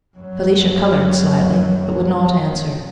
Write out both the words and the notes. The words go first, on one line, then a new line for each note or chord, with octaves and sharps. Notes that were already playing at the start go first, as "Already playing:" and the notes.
Felicia colored slightly, but would not answer.
F#2 F#3